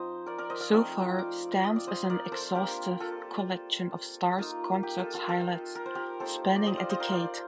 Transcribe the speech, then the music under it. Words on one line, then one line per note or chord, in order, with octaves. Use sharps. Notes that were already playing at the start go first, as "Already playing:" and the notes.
So Far stands as an exhaustive collection of Starr's concert highlights spanning a decade.
Already playing: F3 C4 D#4 C5 D#5
A#4 D5
A#4 D5
C5 D#5
D5 F5
F3 A3 C4 D#4 D#5 G5
D5 F5
D#5
D5
C5 D#5
A#4 D5
A#4
A4 C5
A#3 D4 F4 G4 A#4
F4 A4
A#3 D#4 F4
G4
F4 A4
F4 A4
F4 A4
A#4
C5
G4 A#4
A#3 D#4 A4 C5
D5
C5 D#5
D5 F5
C5 D#5
A#4 D5
D5 F5